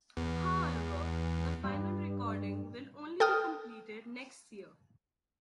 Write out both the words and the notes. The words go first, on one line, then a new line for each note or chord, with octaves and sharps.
However, the final recording will only be completed next year.
E2
G2
A4 G5 D#6 F6